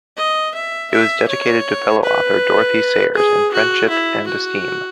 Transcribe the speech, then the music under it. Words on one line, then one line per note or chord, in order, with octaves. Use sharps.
It was dedicated to fellow author Dorothy Sayers in friendship and esteem.
D#5
E5
E5
C#5
B4
G#4
F#4
E4
F#4